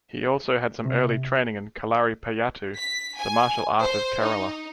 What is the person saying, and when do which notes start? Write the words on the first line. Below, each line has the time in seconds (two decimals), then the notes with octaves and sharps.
He also had some early training in Kalaripayattu, the martial art of Kerala.
0.85 C3
2.76 B6
3.17 G#5
3.81 C5
4.22 D#4